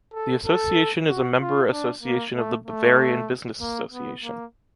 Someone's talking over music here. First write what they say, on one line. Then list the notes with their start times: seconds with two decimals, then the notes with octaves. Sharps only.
The association is a member association of the Bavarian Business Association.
0.14 A4
0.46 A4
1.08 F#4
1.40 F4
1.71 D4
2.03 A#3
2.34 A3
2.66 A3
3.61 A#3
3.92 B3
4.23 A#3